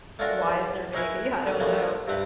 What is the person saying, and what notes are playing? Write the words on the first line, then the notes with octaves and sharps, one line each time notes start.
wiser, maybe, I don't know
A3 C#4 D4 F4 F#4 A#4
E2
C#4 D#4 E4 A#4 B4 G#5
D3 D#3
D3 F3 G3 A3 A#3 C#4
G2 C3 C4 G4 B4 B5